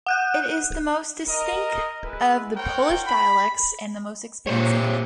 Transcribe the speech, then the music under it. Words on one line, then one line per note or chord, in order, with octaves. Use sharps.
It is the most distinct of the Polish dialects and the most expansive.
F#5 F#6 G6
F#6
A#4 D#5
G#3 E4 B4
A#4 C5 C#5 F#5 G5
B5
A#2 G4 C5 C#5